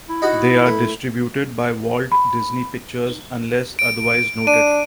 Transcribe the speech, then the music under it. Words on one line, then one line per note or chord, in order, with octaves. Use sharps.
They are distributed by Walt Disney Pictures unless otherwise noted.
E4
D#4 F#4
A3
B5
D7
D4 D#7